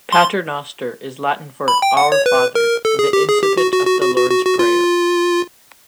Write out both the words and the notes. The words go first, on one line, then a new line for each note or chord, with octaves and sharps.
"Pater noster" is Latin for "Our Father", the incipit of the Lord's Prayer.
C6
B5
G5
F#5
C#5
B4
A#4
A4
G#4
G4
G#4
G4
F#4
F#4
F#4
F#4
F#4
F#4
F#4
F4